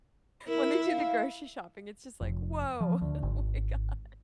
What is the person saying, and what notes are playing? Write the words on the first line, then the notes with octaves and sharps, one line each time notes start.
When they do the grocery shopping, it's just like, "Whoa!" Oh my gosh.
E4 A#4
F5
F1
F3
D2
G#1